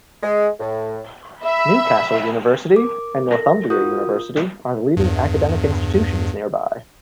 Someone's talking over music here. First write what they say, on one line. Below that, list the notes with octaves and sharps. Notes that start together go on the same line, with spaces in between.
Newcastle University and Northumbria University are the leading academic institutions nearby.
G#3
A2
E5 B5
A#4 D6
A4 A#4 A5 A#6
F4 F#4 A#4 D#6 G6
E2 G2